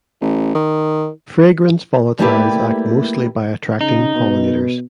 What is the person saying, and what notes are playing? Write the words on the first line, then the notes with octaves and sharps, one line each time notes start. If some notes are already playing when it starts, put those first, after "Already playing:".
Fragrance volatiles act mostly by attracting pollinators.
A1
D#3
G3 A3 A#3 E4 G4 B4
C#3 D#4
B2